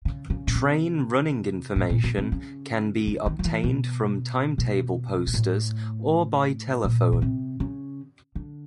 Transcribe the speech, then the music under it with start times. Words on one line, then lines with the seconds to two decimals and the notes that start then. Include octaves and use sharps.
Train running information can be obtained from timetable posters or by telephone.
0.05 C#3
0.30 C#3
0.47 B2
0.55 C3
1.76 A2
1.90 A#2
2.04 B2
2.18 C3
2.32 C#3
3.07 D3
3.26 D#3
3.39 F3
3.45 E3
3.64 B2
4.58 B2
5.27 A#2
5.34 A2
6.84 A#2
7.13 B2
7.22 C3
7.60 C#3
8.35 D3